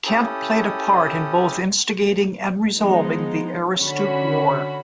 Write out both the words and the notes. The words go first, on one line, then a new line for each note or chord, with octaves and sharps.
Kent played a part in both instigating and resolving the Aroostook War.
C#4 E4 G4 A4 D#6
F3 G#3 B3 D#4
D3 C#4 F#4 B5